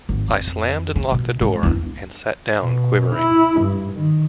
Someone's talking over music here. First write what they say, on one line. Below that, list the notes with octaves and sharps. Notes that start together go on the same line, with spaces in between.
I slammed and locked the door and sat down quivering.
G#1
F2
C#4
B2
G#2 G#3
E2 D4
B2
E4
G2
D#3